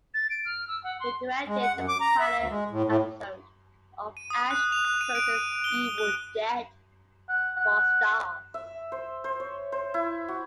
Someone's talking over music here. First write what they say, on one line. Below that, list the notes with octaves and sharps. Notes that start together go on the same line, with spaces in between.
He directed the pilot episode of "Ash versus Evil Dead" for Starz.
A6
D7
F6
E6
F#5
C6
G#3
F#5
F#2
D6
A#5
E5
D2
G#3
A2
A2
D#7
D#6
F#6
F7
F#6
D#7
D7
D#7
G7
F#6
F#5
F#5
E5
C5
C5
C#5
C5
E4
F#4